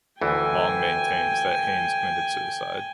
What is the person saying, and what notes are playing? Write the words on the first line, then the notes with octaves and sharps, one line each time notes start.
Long maintains that Haynes committed suicide.
D2 E3 G5 G#5